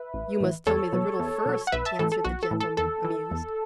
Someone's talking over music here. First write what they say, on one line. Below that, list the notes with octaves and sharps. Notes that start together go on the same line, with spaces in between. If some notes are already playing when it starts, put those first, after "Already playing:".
"You must tell me the riddle first," answered the gentleman, amused.
Already playing: B4 E5
A1
A2 E3
E2 A4 C#5
B2 F#3
E2
B2 F#3
F#5
B1 B4 E5
E5 A5
A2 E3 A4
A4
B1 F#4
A4
A2 E3
A4
E2 A4
E3
E2